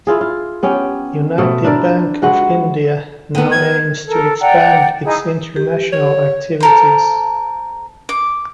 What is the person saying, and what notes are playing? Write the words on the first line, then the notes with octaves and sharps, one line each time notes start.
United Bank of India now aims to expand its international activities.
E4 F4 G#4
F4
B3 C#4 G4 G5
B2 A3 C4
D4 E4 A#4 D5
G#3 F#4 B4 F#5
D#3 B3
G#6
A4 A#4
D5 F#5 G5 A#5
D#4 E4 G#4
G4
C#5
A4 A#4 C5
D6